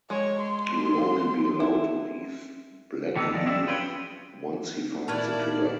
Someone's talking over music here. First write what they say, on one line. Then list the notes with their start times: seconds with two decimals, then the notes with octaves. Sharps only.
He will only be allowed to leave Blackheath once he finds the killer.
0.10 G#3 C#5
0.40 C6
1.60 E4
3.16 A2 D#3 E3 B3 D#4 A4
3.33 A2 F3 G#3 D5
3.46 C4 F#4 G#4 D5 E5
3.67 F4 G4 B4 C#5 F5 G5
5.08 A#2 E4 B4 D5 A5 A#5 F6 G#6